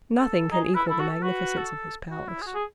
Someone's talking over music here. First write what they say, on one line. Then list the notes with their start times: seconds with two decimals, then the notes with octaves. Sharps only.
Nothing can equal the magnificence of his palace.
0.16 A4
0.52 D#4 G#4
0.75 E4 B4
0.87 E4 A4
0.99 F#4
1.23 F#4 B4
1.58 A4
2.11 F#4
2.29 E4
2.42 G#4
2.47 F#4
2.54 G#4